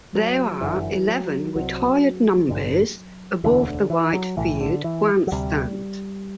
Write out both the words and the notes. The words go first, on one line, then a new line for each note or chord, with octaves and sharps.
There are eleven retired numbers above the right field grandstand.
F#3
G1 F#2 D3 E3
F#3
C2 C3 F#3
A1 G2 D3
E1 D2 D3 E3
D3
E3
F#3
B1 A2 E3
D3
E3
F#3
D2 C3 G3